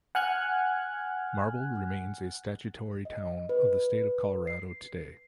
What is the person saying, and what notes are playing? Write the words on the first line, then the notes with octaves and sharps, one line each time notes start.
Marble remains a statutory town of the State of Colorado today.
F#5 G#5 F6 F#6 G#6
D#5
B4
C7